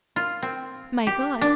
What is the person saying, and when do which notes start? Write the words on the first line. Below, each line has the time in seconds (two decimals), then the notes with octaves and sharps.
"My God!"
0.16 F4
0.42 C4
1.07 G4
1.41 D4